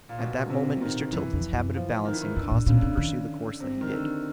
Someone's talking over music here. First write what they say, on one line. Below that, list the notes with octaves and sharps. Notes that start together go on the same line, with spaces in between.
At that moment Mr. Tilden's habit of balancing caused him to pursue the course that he did.
A#2
B2
C3
D#3
F#2 E3
F2
F#2
F3
D#3
E3
D#3
G2 D3
A2
A#2 C#3
D3
C3
C#3
D#3
C3
D#3
D3